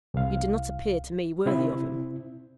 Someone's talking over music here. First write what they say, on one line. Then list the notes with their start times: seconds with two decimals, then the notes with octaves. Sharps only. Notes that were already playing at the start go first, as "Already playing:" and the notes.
You did not appear to me worthy of him.
0.14 C2 F5
1.46 C3 C4 E4